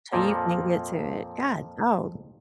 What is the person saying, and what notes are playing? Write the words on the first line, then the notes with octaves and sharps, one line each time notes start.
So you can't get to it. God, oh.
F2 A#2 F3 A#3